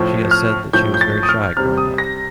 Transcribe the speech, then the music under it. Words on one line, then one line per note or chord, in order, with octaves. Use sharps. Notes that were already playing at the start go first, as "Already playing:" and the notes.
She has said that she was very shy growing up.
Already playing: A2 F3
F6
A2 F3 G6
G6
A6
D#6
F6
C3 G3 F6
D#6
A#6